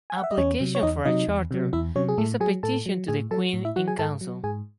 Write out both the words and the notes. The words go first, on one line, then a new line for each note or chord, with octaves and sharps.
Application for a charter is a petition to the Queen-in-Council.
G#5
F#5
E5
D#5
E2 C#4 C#5
C3 F#3
C#5
E2 D#4 D#5
C3 F#3 D#4 D#5
E2
C3 F#3
E2 E4 E5
C3 F#3 C#4 C#5
G#4
A2 A3 A4
F#3 G#4 G#5
A2 A4 A5
F#3
A2 G#4 G#5
F#3 A4 A5
A2
E4 E5
F#3 F#4 F#5
G#4 G#5
G#2 A4 A5
F#3
G#2 G#4 G#5